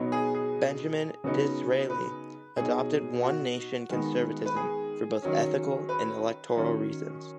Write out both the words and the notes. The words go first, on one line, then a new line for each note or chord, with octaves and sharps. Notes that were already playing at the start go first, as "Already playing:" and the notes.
Benjamin Disraeli adopted one-nation conservatism for both ethical and electoral reasons.
Already playing: B2 F#3 B3 D#4
G#4
G#4
C#3 F#3 B3 D#4
B4
B2 F#3 D#4 G#4
F#4
D#3 G#3 B3 D#4
B4
G#4
D#3 F#3 C#4
B4
D#3 F#3 C#4